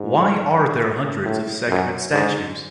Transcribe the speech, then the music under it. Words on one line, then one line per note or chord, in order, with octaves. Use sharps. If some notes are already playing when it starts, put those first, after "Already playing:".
Why are there hundreds of Sekhmet statues?
Already playing: G#2
A2
F#2
G#2